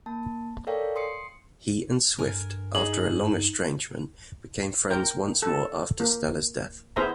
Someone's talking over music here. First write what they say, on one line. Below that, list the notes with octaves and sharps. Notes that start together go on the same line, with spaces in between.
He and Swift, after a long estrangement, became friends once more after Stella's death.
A#3 A5
A4 A#4 C#5 D5 F5 G5
C6 D#6 C7 C#7
G2 A#4 G#5
D#4 G#4 F#7
A#4 G5
A4
A#3
B3 E4 G#4 C5 E5 A#5